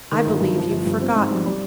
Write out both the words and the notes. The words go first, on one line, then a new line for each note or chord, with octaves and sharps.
"I believe you've forgotten."
D#3
G1
G2
F3
G1
G2
C4
G#2
G3
G3